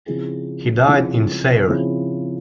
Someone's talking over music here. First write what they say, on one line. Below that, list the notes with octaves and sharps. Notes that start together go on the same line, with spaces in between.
He died in Sayre.
C#3 F3 C4 E4 G#4
C#3 F3 C4 E4 G#4
C#3 F3 C4 E4 G#4